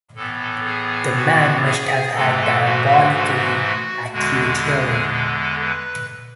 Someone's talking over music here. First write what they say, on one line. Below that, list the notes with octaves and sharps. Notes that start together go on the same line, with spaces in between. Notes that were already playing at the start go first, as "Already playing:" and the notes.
The man must have had diabolically acute hearing.
A2 E3 B3 A4
G#4
F#4
G#4
G#2 E3 A3 A4
F#4
F#4
E2 D3 G#3 F#4
G#4
A4
B4